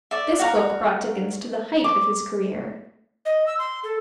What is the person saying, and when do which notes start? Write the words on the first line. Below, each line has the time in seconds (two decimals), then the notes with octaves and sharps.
This book brought Dickens to the height of his career.
0.11 D5 E5
0.39 F#4 F5 A#5
1.84 D6
3.25 D#5
3.47 E6
3.59 C6
3.84 A4